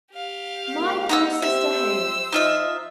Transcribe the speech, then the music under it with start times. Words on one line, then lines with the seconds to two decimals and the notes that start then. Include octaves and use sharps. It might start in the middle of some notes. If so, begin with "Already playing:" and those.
My poor sister Hale!
0.13 G4 F5
0.77 C3 G#3 A#3
1.09 D#4 F#5 E6
1.42 C4 G4 C5 E5 E6
2.32 F3 D#4 F4 D#5 E5